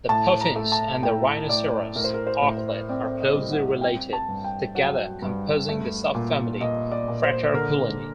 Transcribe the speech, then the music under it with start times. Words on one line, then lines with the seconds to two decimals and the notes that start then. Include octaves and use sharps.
The puffins and the rhinoceros auklet are closely related, together composing the subfamily Fraterculini.
0.09 A2 A5
0.41 A#5
0.56 A3
0.72 A5
1.02 A2 G5
1.49 A2 D5
1.96 A2 A#4
2.04 C5
2.14 A#4
2.27 C5
2.42 A2
2.58 C5
2.89 C4 D5
3.20 D#5
3.35 G3
3.51 F#5
3.81 C4 G5
4.13 A5
4.28 G2
4.44 G5
4.75 F#3 F#5
5.22 G2
5.69 A3
6.15 A#2
6.61 A#2 D#5
6.92 D5
7.08 A#2
7.23 C5
7.54 D3 A#4